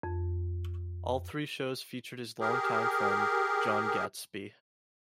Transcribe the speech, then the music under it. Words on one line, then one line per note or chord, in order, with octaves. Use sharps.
All three shows featured his longtime friend Jon Gadsby.
F2
G4 G#4 A#4